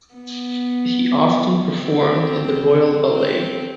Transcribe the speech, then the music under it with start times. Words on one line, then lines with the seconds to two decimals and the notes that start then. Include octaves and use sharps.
He often performed in the royal ballet.
0.14 B3
1.64 C4
3.11 C4